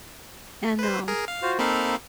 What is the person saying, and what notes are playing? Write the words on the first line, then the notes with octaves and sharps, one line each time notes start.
and, um,
B4 C5
G#4 A#4
F5
F4 F#4 C5
A#3 C4 D#4 A4 F5 B5